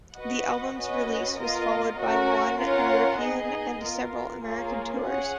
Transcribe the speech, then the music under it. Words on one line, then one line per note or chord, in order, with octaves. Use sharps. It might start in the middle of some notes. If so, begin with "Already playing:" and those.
The album's release was followed by one European and several American tours.
F#4 B4 D#5 F#5
C#4 F#4 B4 D#5
B3 F4 A#4 D#5
C#4 F#4 A#4
C#4 F4 A#4 C#5 F#5
B3 D#4 G#4 D#5
B3 F4 A#4
A#3 F4 G#4 C#5
C#4 G#4 C#5 F#5